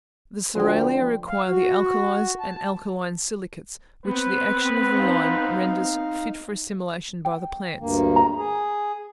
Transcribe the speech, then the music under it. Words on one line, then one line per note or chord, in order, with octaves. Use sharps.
The cerealia require the alkalies and alkaline silicates, which the action of the lime renders fit for assimilation by the plants.
D2 F3 G5 C6
F5
F#4
A5
B3 C4 B4
D#4 F5
G5
D2 G2 A#3
A#5
G#4